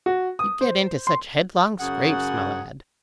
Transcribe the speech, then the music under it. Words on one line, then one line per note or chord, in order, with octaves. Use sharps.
"You get into such headlong scrapes, my lad."
F#4
D#6
C5
C6
F#2 C#3 G#4 F#5